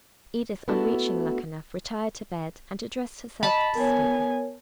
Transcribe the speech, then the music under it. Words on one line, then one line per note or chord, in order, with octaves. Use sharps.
Edith on reaching Luckenough retired to bed, and addressed herself to sleep.
A3 B3 D4 E4 F#4 A4
D#5 A5 B5
B3 A#4 C#5 G#5